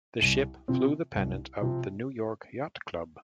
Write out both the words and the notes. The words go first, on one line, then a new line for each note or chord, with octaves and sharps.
The ship flew the pennant of the New York Yacht Club.
C2
C3 F3 C4
C2
C3 F3 C4